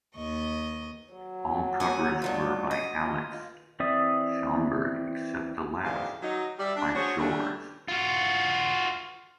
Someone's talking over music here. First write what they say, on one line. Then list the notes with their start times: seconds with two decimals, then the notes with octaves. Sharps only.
All covers were by Alex Schomburg except the last, by Shores.
0.15 D#2 D#5 C#6
1.14 F#3
1.80 D#2 F#5 G#5
2.22 G2 D#3 F4
2.71 D#5
3.02 F4
3.80 E3 C4 D5 E5 D#6
5.85 F2 G#2 E3 D4 G4 F5
6.23 F#3 D#4
6.59 G3 D5 E5
6.76 D4
6.95 D4 F#4 G#4 C5 C#5
7.19 D3 G3 A3 C#4 D4
7.88 F4 F#4